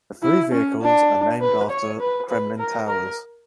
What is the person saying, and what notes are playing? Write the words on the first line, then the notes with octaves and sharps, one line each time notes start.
The three vehicles are named after Kremlin towers.
E4
C#4
D4
B4
C#5
B4
B4
A#4
A#4